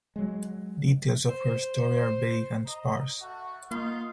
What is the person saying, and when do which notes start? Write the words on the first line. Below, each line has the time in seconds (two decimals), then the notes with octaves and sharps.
Details of her story are vague and sparse.
0.16 F#3 G#3
1.28 C5
2.66 D#5 A#5
3.20 A3 F#4
3.71 A#3 D#4 F4